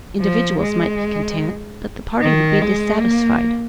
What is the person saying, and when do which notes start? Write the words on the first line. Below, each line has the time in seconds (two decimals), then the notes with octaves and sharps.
Individuals might be content, but the party would be dissatisfied.
0.20 F3
0.60 G#3
2.21 D#3
2.61 G#3
3.01 A#3